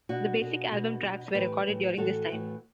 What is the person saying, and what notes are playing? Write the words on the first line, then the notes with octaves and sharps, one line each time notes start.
The basic album tracks were recorded during this time.
B2 D4 F#4
B2
B2
B2
A2 E3 G4 B4
A2 E3
A2 E3 F#4 A4
A2 E3